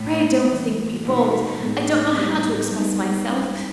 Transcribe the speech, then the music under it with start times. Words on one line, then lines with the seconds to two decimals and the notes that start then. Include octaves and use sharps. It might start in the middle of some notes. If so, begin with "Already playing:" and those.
Pray don't think me bold; I don't know how to express myself.
Already playing: A2
0.49 E3 G3 A#3
1.04 B2 G#3 B3 D#4
1.60 A2 G#3 B3 D#4
2.16 G3 B3 D#4 G4
2.72 G#2 G3 B3 D#4 G4
3.28 A3 C#4 E4